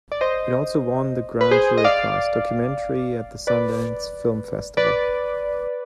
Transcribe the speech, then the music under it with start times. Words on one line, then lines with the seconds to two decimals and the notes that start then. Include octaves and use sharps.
It also won the Grand Jury Prize: Documentary at the Sundance Film Festival.
0.12 D5
0.21 C5 D#5
1.41 B4
1.51 G#4 C5
1.78 D#5
1.84 D5 F5
3.47 B4 D5
4.77 B4 D5